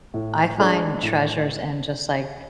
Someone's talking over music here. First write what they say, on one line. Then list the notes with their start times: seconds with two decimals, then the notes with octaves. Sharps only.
I find treasures in just, like
0.14 A2
0.58 G#3 D4 G#4 D5
1.03 A2